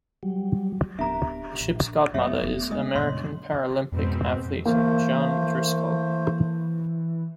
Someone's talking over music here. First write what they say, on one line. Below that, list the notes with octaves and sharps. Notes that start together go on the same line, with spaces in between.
The ship's godmother is American paralympic athlete Jean Driscoll.
F#3 G3
D1 B3 D4 G4 A#4 E5 A#5
A#1
F#2 A3 B3 C#5 E5
E1
G#3 D4 D#5 D#6
F#2 A#2 C#3 C#5 C6
F2 G#2 B2 C4
E3 A3 A#3 C5